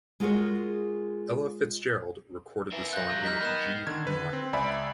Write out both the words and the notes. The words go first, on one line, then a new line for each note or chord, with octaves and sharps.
Ella Fitzgerald recorded the song in G Minor.
G#3 F4 F#4 G#4 A#4 C#5
E3 A#4 E5
F4 F#6 G6 A#6
F#3 G4
D#4 F6 G6 B6
D#3 B3 B5 F#6 E7
D3 D#3 G#6
D3 B4
C4
C#2 D5 E5 G#5 B5